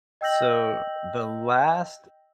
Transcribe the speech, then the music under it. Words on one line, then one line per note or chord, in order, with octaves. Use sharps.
So, the last
D#5 G5 E6 G6 A#6 F#7